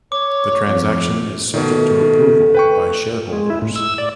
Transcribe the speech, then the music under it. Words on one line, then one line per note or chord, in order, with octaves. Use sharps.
The transaction is subject to approval by shareholders.
C#5 D6
F2
B2 D#3 A3
B4 G5 C#6
G#3
E4
A2
E6
D5